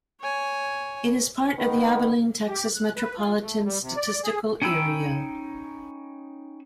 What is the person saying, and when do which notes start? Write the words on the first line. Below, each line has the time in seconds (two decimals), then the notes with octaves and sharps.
It is part of the Abilene, Texas, Metropolitan Statistical Area.
0.21 C#5 G#5
1.58 D#3 B3
2.48 G4
2.75 F#6
2.97 B4
3.17 F4
3.41 A3
3.65 G3
3.82 C3
3.97 D5
4.24 G#4
4.62 C#4 D#4 G5 B5 E6